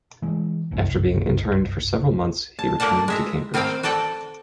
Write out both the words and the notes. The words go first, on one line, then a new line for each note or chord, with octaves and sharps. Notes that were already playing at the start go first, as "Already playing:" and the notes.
After being interned for several months he returned to Cambridge.
E3 G#3
G1 C2 F#2 C#4
A5
A3 A#3 D4 F#5 A5
G#3 E5 A#5
D#3 C4 C5 F5 G5
F#4 A4 D5 F#5 G5